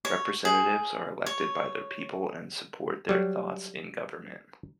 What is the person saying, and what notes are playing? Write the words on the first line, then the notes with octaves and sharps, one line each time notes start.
Representatives are elected by the people and support their thoughts in government.
C#5
G#4
C#5
F#3 G3